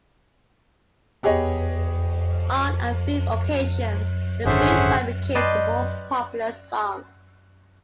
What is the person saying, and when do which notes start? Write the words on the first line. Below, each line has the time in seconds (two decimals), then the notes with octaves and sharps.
On a few occasions, the B-side became the more popular song.
1.23 B3 G4 G#4 C#5 D#5
4.46 G#1 D3 C#4 G#4 C5 E5 F#5
5.35 B4 D5 D#5 G5 A5 C6